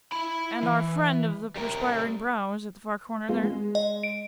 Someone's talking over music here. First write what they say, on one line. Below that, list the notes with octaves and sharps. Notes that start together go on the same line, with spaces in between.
'And our friend of the perspiring brow is at the far corner there?
E4 B5
E3
G3 A#4
G#3 B3 F4
G#3
D#5
D7